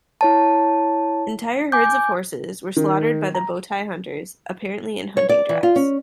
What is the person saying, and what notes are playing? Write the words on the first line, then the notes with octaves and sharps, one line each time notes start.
Entire herds of horses were slaughtered by the Botai hunters, apparently in hunting drives.
E4 C#5 A5
G#5 D6 G6
D#3
A#5
C#5
D5
E3
F4
C#4